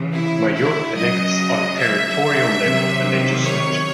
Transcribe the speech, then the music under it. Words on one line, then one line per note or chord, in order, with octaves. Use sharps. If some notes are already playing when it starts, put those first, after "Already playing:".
Mayotte elects on territorial level a legislature.
Already playing: C#3 E3
E4
E4
C#3 F#3 D#5
E5
C3 D#3 F#3
C#5